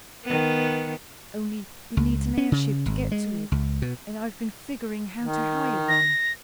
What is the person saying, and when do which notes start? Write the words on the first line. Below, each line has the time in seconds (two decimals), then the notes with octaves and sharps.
Only it needs an airship to get to it, and I've been figuring how to hire one.
0.24 D#3 B3
1.97 C#2
2.38 C#4
2.52 C#3
2.86 G#1
3.12 G#3
3.52 C#2
3.82 B2
5.22 D#3
5.89 A#6